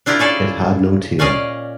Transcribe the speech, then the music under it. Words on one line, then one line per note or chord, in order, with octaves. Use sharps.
It had no tail.
D4 E4 F4 G4 A#4
C#4 G#4 A4 D5
A#2 C#4 D5 D#5 F5